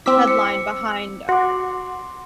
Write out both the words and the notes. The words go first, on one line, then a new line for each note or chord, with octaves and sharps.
headline behind
C4 E4 D6 E6 B6
C#7
F#4 C6 D6